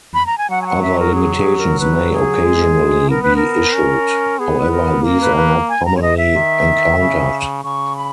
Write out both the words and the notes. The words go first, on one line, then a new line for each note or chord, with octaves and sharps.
Other limitations may occasionally be issued, however these are not commonly encountered.
B5
A#5
G#5
F#3 F#5
G#5
F#5
E5
A#4
G#4
G#4
A#4
B4
G#4
G#3
B3 A#4
B4
A#4
C#4
B3 G#4
B4
A#4
A#3 A#4
B4
B4
G#5
A#5
C#5
D#5
E5
D#3
C#3
C#3 C#6
B5